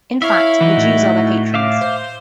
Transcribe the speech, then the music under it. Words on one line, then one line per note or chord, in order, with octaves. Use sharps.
In fact, the Jews are their patrons.
E4 C#5 E5 F5
E3 D#4 F#4
A2
E5 F5 D6
C5